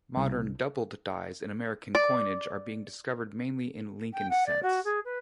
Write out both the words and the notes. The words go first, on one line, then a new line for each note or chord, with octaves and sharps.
Modern doubled dies in American coinage are being discovered mainly in Lincoln cents.
C2
D5
G5
F#5
D5
F#4
G#4
B4